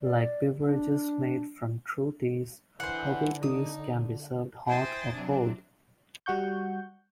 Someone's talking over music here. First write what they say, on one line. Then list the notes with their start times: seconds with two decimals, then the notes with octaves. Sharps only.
Like beverages made from true teas, herbal teas can be served hot or cold.
0.01 D5
0.62 D4
2.80 D3 E3 C5 F#5
3.43 D#4 D#6
4.67 E4 C5 G5 G#5 D#6 A6
5.13 C3 F#3 D4
6.26 G3 F#4 F#5 C#6 G6